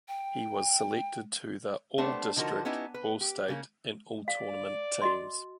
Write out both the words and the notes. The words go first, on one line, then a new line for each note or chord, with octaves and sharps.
He was selected to the all-district, all-state and all-tournament teams.
G5
G3 A3 B3 C4 D4 C5
D3 F3 D#4 F#4 A#4
B3 C#4 D#4 E4 G4
B4
G4
C#3 A#3 C#4
D5 F5
F#4 D#5 C6